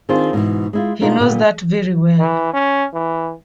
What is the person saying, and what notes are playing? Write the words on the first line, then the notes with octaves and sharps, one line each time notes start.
He knows that very well.
D#3 C4 D4 F4 G#4 C5
G#2 B2 D3 E3
G#3 E4 F4
B2 G#3 D4 D#4 F4 A#4
A#2 D3 B3 G4
E3
C#4
E3